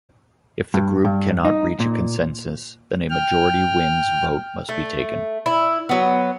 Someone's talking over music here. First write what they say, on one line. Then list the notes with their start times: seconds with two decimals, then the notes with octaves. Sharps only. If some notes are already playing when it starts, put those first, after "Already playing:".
If the group cannot reach a consensus then a majority-wins vote must be taken.
0.74 G2
1.05 G2
1.45 D#4
1.80 A#2
3.10 G5 F6
4.69 A3
5.46 E4
5.89 F#3 B3